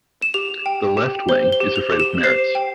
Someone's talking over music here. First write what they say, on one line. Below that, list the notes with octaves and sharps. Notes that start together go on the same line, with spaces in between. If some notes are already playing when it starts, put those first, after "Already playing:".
The left wing is afraid of Meretz.
E7
G4 F7
G5
G4
C5 G7
G7
G4
F7
G4
E7
C5 C7
G5